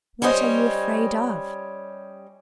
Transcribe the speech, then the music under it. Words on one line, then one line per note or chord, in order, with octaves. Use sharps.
"What are you afraid of?"
G3 C#4 C5 C#5 D#5